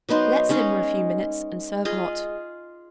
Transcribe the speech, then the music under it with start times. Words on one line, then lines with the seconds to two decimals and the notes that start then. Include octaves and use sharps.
Let simmer a few minutes and serve hot.
0.09 F#3 B3 D#4 C5
0.49 G#3 C#4 D#4 G#4
1.85 F4 G#4 D#5